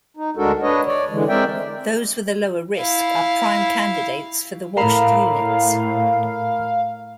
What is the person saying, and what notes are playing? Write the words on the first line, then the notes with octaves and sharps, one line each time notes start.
Those with a lower risk are prime candidates for the washed units.
D#4
D2 G#3 D4 F#4 A4 A#4
D4 B4 C#5 D#5
C#5 D5
D3 E3 G#3
G#3 C4 A#4 D5 E5 G5
E4 F5
A2 A#4 F5 A#5 B5